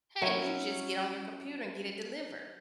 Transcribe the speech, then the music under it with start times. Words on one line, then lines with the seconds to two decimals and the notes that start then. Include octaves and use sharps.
hey, you just get on your computer and get it delivered.
0.21 F#3 C#4 E4